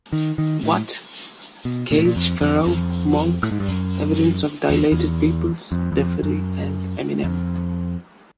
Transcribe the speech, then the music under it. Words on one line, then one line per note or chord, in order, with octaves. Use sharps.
What?, Cage, Pharoahe Monch, Evidence of Dilated Peoples, Defari and Eminem.
D#3
D#3
A2
B2
A#2
A2
A#2
F2
F2
F2
A2
G#2
G2
F#2
E2
E2
F2
E2
F2
F#2
F2